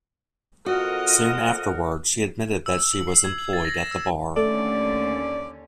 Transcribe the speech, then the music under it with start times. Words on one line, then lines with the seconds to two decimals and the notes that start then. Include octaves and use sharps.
Soon afterward, she admitted that she was employed at the bar.
0.66 F2 F4 F#4 A#4 D#5 F#5
2.66 E6
2.79 E6
2.93 F#7
3.07 C7
3.24 G#6
3.38 F#7
3.53 A6
3.65 A#6
3.77 E7
3.91 E6
4.36 D#2 D3 A3 C#4 A4 D5